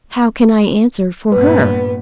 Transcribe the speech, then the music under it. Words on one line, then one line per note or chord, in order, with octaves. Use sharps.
How can I answer for her?
G2 A#2 B3 B4